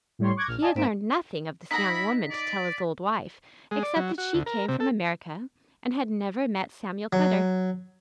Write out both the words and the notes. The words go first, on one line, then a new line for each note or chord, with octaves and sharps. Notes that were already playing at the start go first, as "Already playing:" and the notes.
He had learned nothing of this young woman to tell his old wife, except that she came from America, and had never met Samuel Cutter.
A2 G3 C#5 C6
C#6 D6 F#6 G#6 A#6
A#1 F6
D5 D#5 G#5 A5
G#2 A#3 C4 B6 D7 E7
D#4 E4 F#5 A#5 B5 B6
D5
G#3
D5
F#3
F#4
D2
A#4
C3
A4
F#3